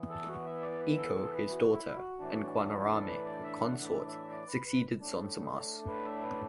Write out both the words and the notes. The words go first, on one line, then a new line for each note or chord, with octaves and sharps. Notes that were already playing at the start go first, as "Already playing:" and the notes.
Ico, his daughter, and Guanarame, her consort, succeeded Zonzamas.
Already playing: E2 E3 B3
A4
F#4
E5
D5
B4
A4
A4
B4
F#4
E4
F#4
A2 E3 D4
A4
B4
D5
E5
F#5
E5
E5
D5
B4
B4
A2 A3 D4
B4
E5
B4